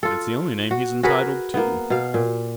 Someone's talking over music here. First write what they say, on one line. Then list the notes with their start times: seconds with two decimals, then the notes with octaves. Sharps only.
It's the only name he is entitled to.
0.03 F4 A4
0.71 F#4
1.03 F#4 G#4 A#4 B4
1.54 A#3 B3
1.90 B2 F5
2.14 A#2